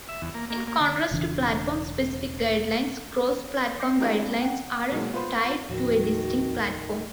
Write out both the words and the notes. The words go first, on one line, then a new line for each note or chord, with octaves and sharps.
In contrast to platform-specific guidelines, cross-platform guidelines aren't tied to a distinct platform.
E5
E2
A#3
A#3
A#3
D3
E1 C#3 E3 D4
D6 G6 A#6 C7 C#7
G#3 C4 D4 E4 G4 A#4
F#5 G5
B2 F#3 G#3 A#3
B3 F4 B4 C5
D#2 A2 D#3 F3 F#4